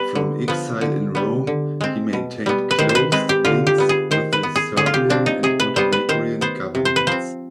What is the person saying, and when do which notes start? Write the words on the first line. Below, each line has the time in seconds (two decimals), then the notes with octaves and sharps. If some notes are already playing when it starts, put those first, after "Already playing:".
From exile in Rome, he maintained close links with the Serbian and Montenegrin governments.
Already playing: G3 B3 B4
0.15 D3
0.48 F3 B3
0.81 D3
1.15 G3 B3
1.47 D3
1.81 G#3 C4
2.13 B2
2.46 G3 B3
2.71 B4
2.79 D#3 C5
2.89 C5
2.95 B4
3.12 G#3 C4 B4
3.29 G4
3.45 D3 F4
3.67 G4
3.78 G3 B3
3.89 G#4
4.11 D#3 C5
4.33 B4
4.43 B3
4.56 G#4
4.77 D3 G#4
4.86 F4
4.94 G4
5.10 F3 C4 D4
5.26 D#4
5.43 C3 G#4
5.60 B4
5.76 G3 B3 C5
5.93 B4
6.09 D#3 C5
6.41 B3 C5
6.75 C3
6.85 C5
6.96 B4
7.07 F3 C4 C5